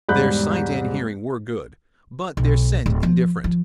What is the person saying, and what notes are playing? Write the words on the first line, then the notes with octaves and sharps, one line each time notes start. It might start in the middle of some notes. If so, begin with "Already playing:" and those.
Their sight and hearing were good, but their scent indifferent.
E1 G#2 G3 B5 F#6 G6
B1
D1
F3
F3